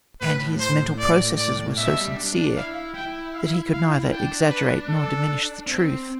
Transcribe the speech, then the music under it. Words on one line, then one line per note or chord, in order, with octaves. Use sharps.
And his mental processes were so sincere that he could neither exaggerate nor diminish the truth.
A2 B4
C5
D5
D5
B2 E5
G3
D4
D4
E4 F5
E4 G5
F5
F5
D4 G5
B4
A4
C4